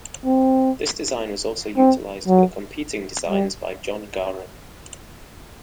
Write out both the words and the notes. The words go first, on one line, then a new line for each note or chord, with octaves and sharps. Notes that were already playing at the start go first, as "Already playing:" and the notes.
This design was also utilized for the competing designs by John Garand.
C4
C4
F#3
G3